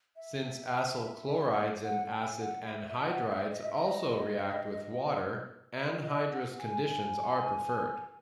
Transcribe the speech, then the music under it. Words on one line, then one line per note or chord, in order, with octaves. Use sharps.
Since acyl chlorides and acid anhydrides also react with water, anhydrous conditions are preferred.
E5
F#5
G#5
F#5
E5
E5
F#5
E5
D#5
E5
D#5
D#5
F#5
G#5
G#5